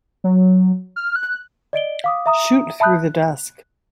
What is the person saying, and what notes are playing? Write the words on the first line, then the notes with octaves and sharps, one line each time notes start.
Shoot through the desk.
F#3
F6
F#6
D5 D#5 D7 G7
F5 D6 D#6
E5 A#5 D#6
E5 A5 B5 D#6 F#6 G6
F#6